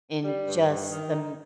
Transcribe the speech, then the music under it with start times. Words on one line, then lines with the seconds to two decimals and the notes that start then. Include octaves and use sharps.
in just the m
0.24 G3
0.47 G2
0.69 G2
0.90 D#3
1.12 D#4